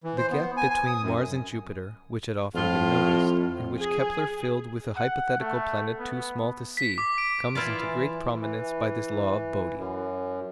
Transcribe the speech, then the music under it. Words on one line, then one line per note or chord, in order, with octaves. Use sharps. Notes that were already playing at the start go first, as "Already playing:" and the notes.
The gap between Mars and Jupiter, which had often been noticed, and which Kepler filled with a hypothetical planet too small to see, comes into great prominence by this law of Bode.
E3
C5
B3
G#5
G#5
D#6
F#2
F2 A2 F4
G#4
F#5
A3
B3
B6
D6
D7
E3 E4 F4 D5
E3
F#2